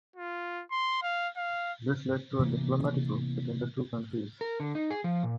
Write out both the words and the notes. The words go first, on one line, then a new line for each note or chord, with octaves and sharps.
This led to a diplomatic row between the two countries.
F4
C6
F5
F5
C3 E3 A#3 B3
A#4
D3
D#4
G#4
F3
A#2